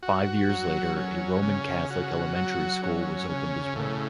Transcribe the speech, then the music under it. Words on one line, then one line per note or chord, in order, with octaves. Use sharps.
Five years later a Roman Catholic elementary school was opened as well.
F#4
F#3
C#4
C#3
F#4
F#3
C#4
C#3
A2